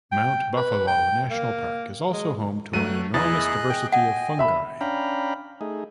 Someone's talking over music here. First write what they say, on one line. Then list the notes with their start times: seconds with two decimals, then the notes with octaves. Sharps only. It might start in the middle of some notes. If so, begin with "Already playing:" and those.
Mount Buffalo National Park is also home to an enormous diversity of fungi.
0.12 G5
0.57 B4
0.87 G5
1.30 A#3
2.12 G#3
2.73 G2 F#3 A3 F#6 D#7
3.14 E2 E4 G#4 D#5 F#6 A6
3.70 G5
3.92 D#5 F#5 G#5
4.39 E5 B5
4.81 C#4 D4 F5 G5 A#5 B5
5.61 A3 D#4 G#4